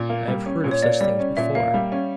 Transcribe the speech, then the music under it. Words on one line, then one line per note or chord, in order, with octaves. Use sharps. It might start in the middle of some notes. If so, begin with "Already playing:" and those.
I have heard of such things before.
Already playing: A#2
A#3
G3
C#4
A#2
C#5
A#3 D5
G3 D5
C#4
A#2 E5
A#3 F5
G3
C#4